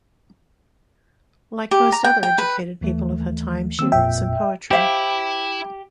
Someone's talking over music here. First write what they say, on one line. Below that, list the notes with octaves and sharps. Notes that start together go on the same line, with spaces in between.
Like most other educated people of her time, she wrote some poetry.
G4
A#5
G5
G5
B4
D#2 E3 A3
D#3 A#3 C4 E6
G#1 F2 A#2 E5 G5
E4 G4 C5 E5 F5